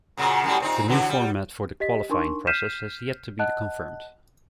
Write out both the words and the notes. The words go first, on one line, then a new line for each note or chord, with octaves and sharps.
The new format for the qualifying process has yet to be confirmed.
F#2 A#2 C#3
F#2 A2 G3
A#2 C4 D#4
D3 E3 F#3
G3
G4 D#5 B6
D4 D#4 A#4 C6 C#6
F6 G6 B6 C7 D#7 E7
D#5 F#5 A5 F#6